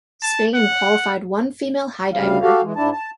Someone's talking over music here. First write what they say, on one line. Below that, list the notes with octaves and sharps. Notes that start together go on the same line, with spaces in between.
Spain qualified one female high diver.
A5
F#5
D2 C#3 G3 F5
F#4 G4 A4 F5
E3 G#3
G#2 D4 E4 A5
A5